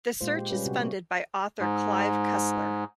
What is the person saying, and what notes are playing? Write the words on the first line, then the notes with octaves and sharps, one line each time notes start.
The search is funded by author Clive Cussler.
A#2 G#3 F4 C5
G4
G3 C#4 B4
C3 F#4
A3
G#2